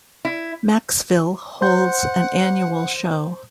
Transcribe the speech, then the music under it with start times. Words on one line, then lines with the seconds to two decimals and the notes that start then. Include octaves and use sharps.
Macksville holds an annual show.
0.25 E4
1.61 C5 F#5 C6 G6